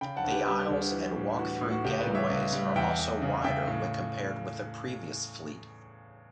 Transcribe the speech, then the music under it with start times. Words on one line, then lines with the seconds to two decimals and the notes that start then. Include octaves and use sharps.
The aisles and walk-through gangways are also wider when compared with the previous fleet.
0.01 C#3 G5 B5
0.16 F#5 A5
0.24 D2
0.32 G4 B4
0.47 G3 G4
0.70 D2
0.92 E3
1.16 A2
1.38 E3 F#4
1.61 A2
1.71 F#4
1.84 C#2 G4
1.99 B4 D5
2.07 G3
2.15 C#5 E5
2.30 C#2
2.53 G3
2.75 E2 E5 G5
2.99 E2
3.22 C#3
3.44 C#3 E5 G5
3.67 A2